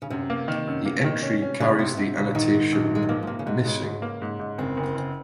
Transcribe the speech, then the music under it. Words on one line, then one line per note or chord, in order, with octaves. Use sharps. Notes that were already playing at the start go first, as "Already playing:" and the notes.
The entry carries the annotation "Missing".
C#3
F#2 C3
A#3
D#3
F#2
A#3
D#3
C#4
C#4
G#2 C#3
C3 C4
G#2 C3
A#1 C#3
G#2 D#3
G#2
A#1
G#2 G#3
F#3
F3 A#3
A#2
C3 A#3
C#3
G#2 C3
G#2 C#3
G#2
A#3
G#2
G#2
F#1 C4
F#1
C4
F#1